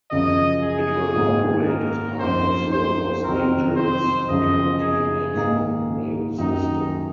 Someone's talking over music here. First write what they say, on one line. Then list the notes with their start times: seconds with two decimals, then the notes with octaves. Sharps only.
It will operate as part of the Los Angeles County Metro Rail system.
0.11 F#2 C#3 F3 D#5
0.63 G#4
1.16 G#2 D#3 A#3
1.67 A#4
2.20 F#2 F3 C4 D#4 C5
2.72 C5
3.24 F2 C3 D#3 F#3 C4 A#4
3.76 C5
4.29 F#2 C#3 F3 D#5
4.81 G#4
5.33 G#2 D#3 A#3 D#4
6.38 F#2 D#3 F#3 D#4